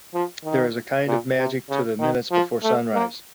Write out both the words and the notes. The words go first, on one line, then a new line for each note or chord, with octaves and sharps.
There is a kind of magic to the minutes before sunrise.
F3
D#3
A#2
C3
C#3
D#3
F3
A3
A#3